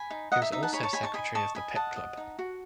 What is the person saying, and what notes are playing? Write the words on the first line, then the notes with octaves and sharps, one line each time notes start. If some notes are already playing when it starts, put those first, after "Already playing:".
He was also secretary of the Pitt Club.
Already playing: G#5 B5
D#4
D#4 D#5 F#5
E5
D#4 E5
F#5 A5
C#5 G#5 B5
A5 C#6
D#4 G#5 B5
A5 C#6
D#5 G#5 B5
D#5 A5 C#6
D#5 G#5 B5
D#5 F#5 A5
D#5
D#4
F#4